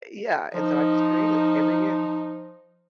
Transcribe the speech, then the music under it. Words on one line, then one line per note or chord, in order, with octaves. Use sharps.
Yeah, and so I just create it, every year.
F3 D#4